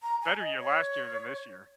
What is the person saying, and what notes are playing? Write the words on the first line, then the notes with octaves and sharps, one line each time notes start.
better year last year than this year.
A#5
G#5
D#5
C#5